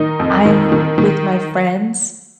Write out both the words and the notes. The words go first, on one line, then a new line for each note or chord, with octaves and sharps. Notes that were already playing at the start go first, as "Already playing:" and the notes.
I'm with my friends.
Already playing: D#3 D#4
F2
D#3
D#3
D#3